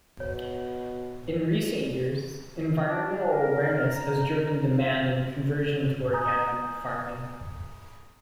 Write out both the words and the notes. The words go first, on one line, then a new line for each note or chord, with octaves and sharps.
In recent years, environmental awareness has driven demand and conversion to organic farming.
B2 C#5
D4
A#4
A#5
F4
G#5 A#5 D#6 G6